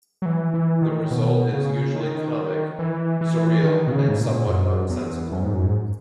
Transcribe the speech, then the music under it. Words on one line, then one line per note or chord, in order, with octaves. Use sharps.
The result is usually comic, surreal and somewhat nonsensical.
F#3
E3
E3
D#3
B2
C#3
D#3
E3
E3
D#3
B2
C#3
G#2
A#2
F#2
E2
F#2
G#2
F#2
G#2